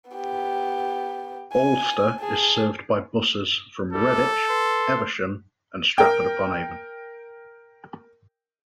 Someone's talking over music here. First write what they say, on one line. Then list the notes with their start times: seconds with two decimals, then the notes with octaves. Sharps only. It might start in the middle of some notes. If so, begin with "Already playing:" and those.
Alcester is served by buses from Redditch, Evesham and Stratford upon Avon.
0.11 B3 G4
1.53 G#5
2.19 G#4 A5
3.93 C2 G3 A4
4.49 B4 C6
5.98 A#4 G5